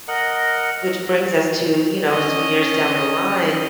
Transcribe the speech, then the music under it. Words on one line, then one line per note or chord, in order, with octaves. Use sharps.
which brings us to, you know, some years down the line
A#4 D#5 F#5
C#4 D#5